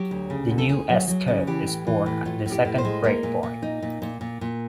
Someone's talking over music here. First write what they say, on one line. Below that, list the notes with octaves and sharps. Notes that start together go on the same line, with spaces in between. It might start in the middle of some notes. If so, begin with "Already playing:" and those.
A new S-curve is born at the second breakpoint.
Already playing: F#3 G4
D2
C#3
D2
A4
D2 G#4
F#3
F#3
C#3
E3 G4
A2
E3
A2
A2 F4
A2
G4
A2
C5
G#3
A#3 A#4
A#2
A#2
D#4
A#2
A#2
A#2
A#2